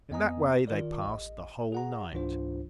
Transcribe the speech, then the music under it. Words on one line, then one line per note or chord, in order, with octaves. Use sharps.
In that way they passed the whole night.
F2 B3 D#5 G#5 A#5 D#6
D#3 F4 A#4 D5
A1 D#5
G#4 F#5 A#5
C#2 G#2 E3 D4 F4 C5